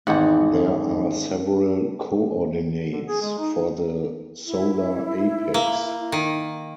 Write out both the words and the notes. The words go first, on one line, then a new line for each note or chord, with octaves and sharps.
There are several coordinates for the solar apex.
G#1 E2 D#4 F#5
D3
G#4
G#3
D#4
E4
A#3
D#3